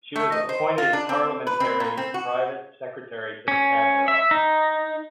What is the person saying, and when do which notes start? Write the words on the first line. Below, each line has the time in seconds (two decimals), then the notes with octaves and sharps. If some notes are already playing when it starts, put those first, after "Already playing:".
She was appointed Parliamentary Private Secretary to the Cabinet Office.
0.16 A3
0.32 D#5
0.49 C5
0.78 F4
0.93 D4
1.09 C4
1.47 B4
1.60 C4
1.80 A#2
1.97 C4
2.14 F#4
3.48 C#4
4.08 E5
4.31 D#4